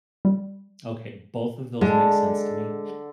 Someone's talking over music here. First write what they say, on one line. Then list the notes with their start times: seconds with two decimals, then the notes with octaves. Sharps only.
Okay, both of those make sense to me
0.25 G3
1.81 D3 G#3